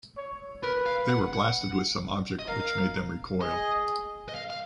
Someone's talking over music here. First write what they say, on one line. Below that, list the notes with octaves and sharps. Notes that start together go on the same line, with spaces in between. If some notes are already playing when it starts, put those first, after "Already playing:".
They were blasted with some object which made them recoil.
C#5
A#4 B4
F5
F#5
F#5
D#5
A#4 F5
G#4 D#5
D#5
F5
F5